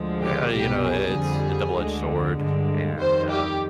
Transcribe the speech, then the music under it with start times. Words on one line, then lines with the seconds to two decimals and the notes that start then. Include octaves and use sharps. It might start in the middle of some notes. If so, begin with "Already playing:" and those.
well, you know, i it's a double-edged sword, and um
Already playing: D2 D3 F3 G#3
0.21 G4
0.52 C2 B2 G3 G4
0.84 G#4
1.14 F2 D3 G3
1.75 D2 D3 G#3
2.37 G2 D3 G#3
2.98 F2 D#3 G3 C5
3.29 G4